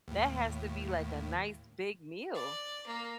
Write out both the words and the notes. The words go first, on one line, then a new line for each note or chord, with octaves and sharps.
that has to be, like, a nice big meal.
D#2 A2
D5
A#3